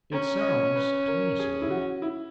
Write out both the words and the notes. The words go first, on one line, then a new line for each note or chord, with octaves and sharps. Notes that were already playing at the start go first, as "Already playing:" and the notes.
'It sounds to me so.
C#4 A#5
D#5
C#5
B4
A#4
G#4
E4
F#4
E4